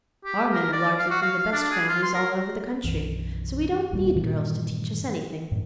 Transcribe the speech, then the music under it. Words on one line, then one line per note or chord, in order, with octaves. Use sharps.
Our men are largely from the best families all over the country, so we don't need girls to teach us anything.'
G4
A#4
D5
F5
F#4
F5
F5
D4
G#4
F4
C6
A#4
B1 F#2 E3
F#1 D#2 A#2 G3
G2 A#2 D#3 E3
F#2 A2